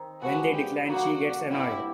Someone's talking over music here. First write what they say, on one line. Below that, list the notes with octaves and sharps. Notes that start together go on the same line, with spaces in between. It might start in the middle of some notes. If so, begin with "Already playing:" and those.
When they decline, she gets annoyed.
Already playing: D#3 C4
D3 F3 G#3 B3 F#4
G4
D3 F#3 A#3 D#4 F#4
G2 D3 G3 C4 E4